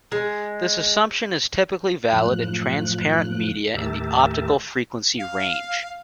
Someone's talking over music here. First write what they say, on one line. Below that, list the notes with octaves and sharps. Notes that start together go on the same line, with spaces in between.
This assumption is typically valid in transparent media in the optical frequency range.
G#3
F#2 A2 F3 F#6
D#2 A2 G4 A#4 E5 A5
F5